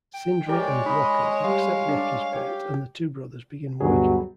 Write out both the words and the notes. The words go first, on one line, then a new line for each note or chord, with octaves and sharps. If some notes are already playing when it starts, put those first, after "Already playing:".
Sindri and Brokkr accept Loki's bet and the two brothers begin working.
G5
G#3 G4 A#4 C#5 D5
D#4 D#5 B5
G3 F5
D4 D5
G4 C#5
D2 G2 B2 F#3 G3 G#4